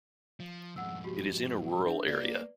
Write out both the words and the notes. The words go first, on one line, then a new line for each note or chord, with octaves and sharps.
It is in a rural area.
F3
F2 G#2 F#5 E6
F#4 G4
D4 E5
A#3 B4 D5